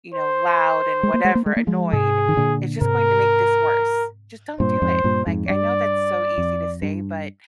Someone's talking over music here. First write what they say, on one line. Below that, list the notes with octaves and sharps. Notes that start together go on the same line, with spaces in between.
you know, loud and whatever annoyed, it's just going to make this worse. Just don't do it, like, I know that's so easy to say, but
C5
G#3
A#3
G#3
A#3
G#3
A#3
F3 G#3
G#2 C3 G#4
D#3
A#2 D3
G#2 C3 A#4
G2 A#2 C5
F2 G#2
G2 A#2
F2 G#2
G2 D5
F2
G2